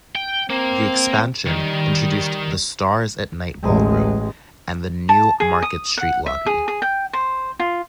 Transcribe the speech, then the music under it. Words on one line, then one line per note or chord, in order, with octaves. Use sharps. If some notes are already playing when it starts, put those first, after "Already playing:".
The expansion introduced the "Stars at Night" ballroom and the new Market Street lobby.
G5
A#3 C4
D#3 G3
A1 G#3
A5
G#4
D#6
F#5
E5
G#4
G#4
G5
C5
F4